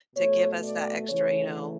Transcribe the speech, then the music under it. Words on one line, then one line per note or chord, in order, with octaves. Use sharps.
to give us that extra, you know,
B2 A3 C#5
D5
C#3 E3 A3 C#5